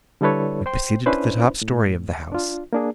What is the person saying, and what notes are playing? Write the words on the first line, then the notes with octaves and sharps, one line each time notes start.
We proceeded to the top-storey of the house.
D3 G3 E4 A4 B4 C#5
C5 G5 C6
C#4 D4 E4 B4 C5
A2
D4 F4
A#3 D4 G#4